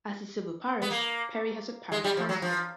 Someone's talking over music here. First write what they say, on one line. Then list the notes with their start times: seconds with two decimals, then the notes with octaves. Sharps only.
As a civil parish, Perry has a parish council.
0.82 B3
0.91 A#3
1.92 G#3
2.04 G3
2.17 F3
2.29 F#3
2.42 F3